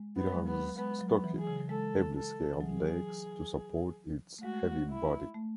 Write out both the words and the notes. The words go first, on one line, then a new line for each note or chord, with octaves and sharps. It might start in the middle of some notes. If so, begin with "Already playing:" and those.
It has stocky, heavily scaled legs to support its heavy body.
Already playing: G#3
B3
F#3
G#3
B3
G#3 B3
F#3
B3
E3
G#4
C#3
G#3 A4
A4
E3
F#3 G#4
A3
G#3 F#4
E4
A3